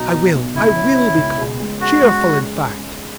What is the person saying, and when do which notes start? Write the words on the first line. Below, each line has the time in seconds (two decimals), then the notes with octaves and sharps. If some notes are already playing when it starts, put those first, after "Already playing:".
I will, I will be calm, cheerful, in fact.
Already playing: B1 F#3 D#4
0.14 B1
0.35 B1
0.55 C#2 E4
0.76 C#4
0.97 C#4
1.18 C#2
1.38 G#4
1.60 G#3
1.81 F#4 G#4
2.01 G#3